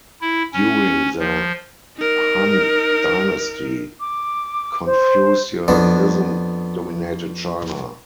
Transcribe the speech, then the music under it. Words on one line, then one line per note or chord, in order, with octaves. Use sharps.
During the Han dynasty Confucianism dominated China.
E4
C#4
F3
D#4 A#4
D6
C5
F2 B3 D4